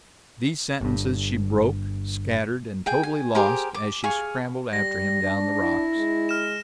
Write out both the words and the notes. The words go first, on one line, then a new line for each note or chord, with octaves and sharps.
These sentences she broke, scattered, and totally lost as she scrambled after him, down the rocks.
G1 G2
G#4 G5
G#5
G4 G#4 A#4 C5
D6
G#4 F5 G#5 C#6
G3 A#6
D4
E4
G#3
F6 E7